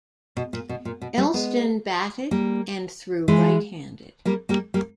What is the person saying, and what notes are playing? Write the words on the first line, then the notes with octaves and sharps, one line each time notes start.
Elston batted and threw right-handed.
B2
A#2
B2
A#2
B2
G3 A#3
G#3 B3
G3 A#3
E3 G#3
G3 A#3
G3 A#3
G3 A#3